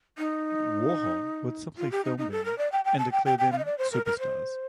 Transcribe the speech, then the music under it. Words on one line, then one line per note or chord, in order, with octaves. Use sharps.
Warhol would simply film them, and declare them "superstars".
D#4
F4
G4
D#4
D#4
A4
A#4
D5
G5
G5
A5
G5
G5
G5
F5
D#5
D5
C5
A#4
A#4
C5